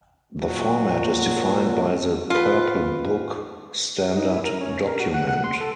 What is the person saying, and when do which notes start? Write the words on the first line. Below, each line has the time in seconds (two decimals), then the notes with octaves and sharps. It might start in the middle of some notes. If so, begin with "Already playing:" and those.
The format is defined by the "Purple Book" standard document.
0.39 A#2 F#3 F#4
2.30 F4 B4
4.17 D#4
4.31 E4
4.45 A#4
4.61 C#4
4.87 A#4
5.00 F#4
5.14 F#5
5.27 F#5
5.44 C6
5.61 A4